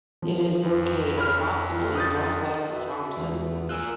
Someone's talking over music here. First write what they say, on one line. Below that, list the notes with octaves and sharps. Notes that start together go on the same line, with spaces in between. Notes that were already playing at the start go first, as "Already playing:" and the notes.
It is located approximately northwest of Thompson.
F3
F2
B5 F6
D#6 G6 A6
F#4 B4 E5
E2
F4 A#4 G#5 E6 F#6